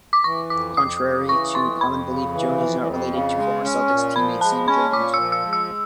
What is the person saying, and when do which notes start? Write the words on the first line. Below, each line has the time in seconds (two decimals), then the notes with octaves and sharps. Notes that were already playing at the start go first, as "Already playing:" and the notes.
Contrary to common belief, Jones is not related to former Celtics teammate Sam Jones.
0.13 D6
0.24 E3 C#6
0.50 F2 D6
0.77 F2 D#6
1.03 C#3
1.29 E3 C#6
1.55 F2 C6
1.81 F2 B5
2.07 C#3
2.34 E3
2.60 F2
2.85 F2
3.12 C#3
3.37 G#3
3.64 C#4
3.89 A#2
4.16 F3 B5
4.41 G#3 A5
4.68 C#4 B5
4.93 A#2 D6
5.14 E6
5.20 F3
5.32 E6
5.46 G#3
5.53 E6